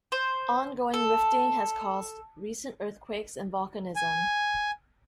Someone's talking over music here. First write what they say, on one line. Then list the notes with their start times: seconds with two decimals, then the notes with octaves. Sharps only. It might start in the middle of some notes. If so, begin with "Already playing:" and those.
Ongoing rifting has caused recent earthquakes and volcanism.
0.12 C5
0.94 A4
3.96 G#5